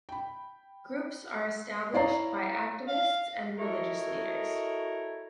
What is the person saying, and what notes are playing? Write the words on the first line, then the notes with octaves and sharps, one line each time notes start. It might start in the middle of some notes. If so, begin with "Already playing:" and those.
Groups are established by activists and religious leaders.
G5 B5
E4 C#5 D5 F5 A#5 C7
F5
E4 F#4 A4 A#4 C#5 D#5